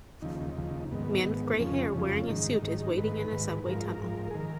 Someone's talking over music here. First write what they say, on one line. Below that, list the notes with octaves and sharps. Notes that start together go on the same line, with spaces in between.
Man with gray hair wearing a suit is waiting in a subway tunnel.
D#2 C#3 F3 D#4
D#2 C#3 F3
G#2 D#3 B3
G#2 D#3
F2 C#3 F3 C#4
F2 C#3 F3
F4
G#2 D#3 D#4
G#2 D#3
G#2 D#3 B4
G#2 D#3
G#2 F3 A#4
G#2 F3
G#4
D#3 A#4